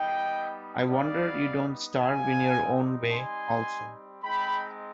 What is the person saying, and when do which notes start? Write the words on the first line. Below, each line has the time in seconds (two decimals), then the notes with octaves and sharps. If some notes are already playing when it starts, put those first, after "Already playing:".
I wonder you don't starve in your own way also.
Already playing: G3 B3 D#4 D#5 G5
0.88 D5 F5
2.00 G3 C4 D#4 F5 G#5
3.11 G#5 C6
4.23 G#3 C4 D#4 G5 B5